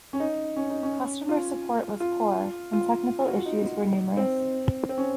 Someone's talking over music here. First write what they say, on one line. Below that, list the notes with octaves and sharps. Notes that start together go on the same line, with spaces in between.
Customer support was poor, and technical issues were numerous.
C#4
D#4
C#4
D#4
C#4
F4
F4
F4
F#4
F4
D#4
C4
C4
C#4